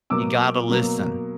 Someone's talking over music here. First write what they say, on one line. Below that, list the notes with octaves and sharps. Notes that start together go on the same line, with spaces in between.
You gotta listen.
B2 F#3 A#3 D6 E6
B2 F#3 A#3